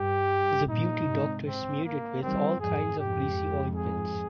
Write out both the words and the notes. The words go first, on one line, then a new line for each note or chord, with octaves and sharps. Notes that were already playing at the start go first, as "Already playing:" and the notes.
The beauty doctors smeared it with all kinds of greasy ointments.
Already playing: G2 G4
G2 A#2 D#4
G#2 C3
C4
A#3
D#3 G3 C4
F2 G#2 G#4
F2 G#2 G4
G#4